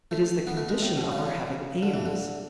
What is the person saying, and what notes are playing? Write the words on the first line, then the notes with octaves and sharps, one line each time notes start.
It is the condition of our having aims.
A3
B3
A3
G#3
A2
B2
C#3
D3
C#3
D3
E3
D3